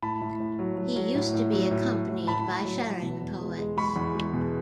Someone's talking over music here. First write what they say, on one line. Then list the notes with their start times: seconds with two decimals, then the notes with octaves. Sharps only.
He used to be accompanied by Charan poets.
0.02 A2 A5 B5
0.21 A2
0.40 A2
0.59 F#3
0.77 F#3
0.96 F#3
1.15 A2
1.34 A2
1.52 F#3
1.71 A2
1.90 F#3
2.09 A2
2.27 A2 A5 B5
2.46 A2
2.65 F#3
2.83 F#3
3.02 B2
3.21 E2
3.40 G#3
3.59 G#3
3.77 G#3 B5 C#6
3.96 E2
4.15 G#3
4.33 B2